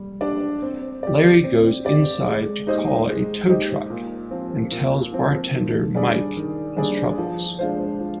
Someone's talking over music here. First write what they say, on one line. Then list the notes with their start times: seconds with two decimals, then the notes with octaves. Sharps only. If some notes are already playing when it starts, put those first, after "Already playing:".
Larry goes inside to call a tow truck, and tells bartender Mike his troubles.
Already playing: G3
0.21 D4 G4 D5
0.62 C4
1.03 G4 D5
1.44 C4
1.85 G4 D5
2.26 G#3
2.67 D#4 G4 C5 D#5
3.08 G#3
3.49 D#4 G4 C5 D#5
3.90 A#2
4.31 F3 C4
4.72 A#2
5.12 F3 C4
5.53 D#3
5.95 G3 D4 G#4 D5
6.36 D#3
6.76 G3 D4 G#4 D5
7.18 F3
7.59 G#3 D4 F4 C5
7.99 F3